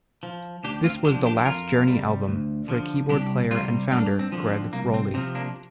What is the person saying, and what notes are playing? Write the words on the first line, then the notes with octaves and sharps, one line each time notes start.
This was the last Journey album for keyboard player and founder Gregg Rolie.
F3
D2 D4 G4
C4 F4
D3 F3 D4 G4
D4 G4
F2 F4 A#4
C3 G3
D2
D3 F3
C2 D4 G4
C3 G3 C4 F4
G2 A#3 D4
C4
D3 F3
C4
C2 A#3
C4
C3 F3 C4
A#3 D4